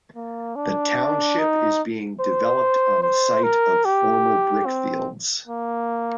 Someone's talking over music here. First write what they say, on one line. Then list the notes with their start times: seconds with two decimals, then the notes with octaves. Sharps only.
The township is being developed on the site of former brick fields.
0.15 A#3
0.56 D4
1.39 D#4
2.20 C5
3.02 C5
3.43 A#4
3.85 G4
4.66 C4
5.48 A#3